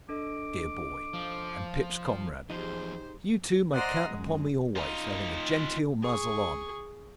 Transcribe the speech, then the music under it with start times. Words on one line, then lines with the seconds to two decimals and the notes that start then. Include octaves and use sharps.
Dear boy, and Pip's comrade, you two may count upon me always having a gen-teel muzzle on.
0.09 D4 A4 D#5 D6
1.14 F3
2.50 E2 F3 D#4 G4 G#4 C5
3.72 C5 D5 D#5 F#5 A#5 C6
4.07 F#2 G#3
4.76 D#4 F4
6.02 G#4 C#6